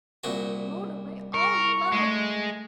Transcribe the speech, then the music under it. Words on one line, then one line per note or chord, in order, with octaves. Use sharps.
Mona, my own love.
C2 A#2 F#4
A#4 C#6
G#3 A3